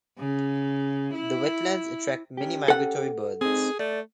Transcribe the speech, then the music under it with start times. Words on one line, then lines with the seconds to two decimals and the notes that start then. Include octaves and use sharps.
The wetlands attract many migratory birds.
0.18 C#3
1.14 E4
2.37 C#4 G4
2.68 A4 F#5
3.41 C4 D#4 G#4
3.79 A3 D5